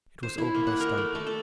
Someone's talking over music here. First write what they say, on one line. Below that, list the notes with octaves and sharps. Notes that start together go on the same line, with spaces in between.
It was opened by Stumpy.
C5
E4
A#3
F#5
A#4
A3
A3
A4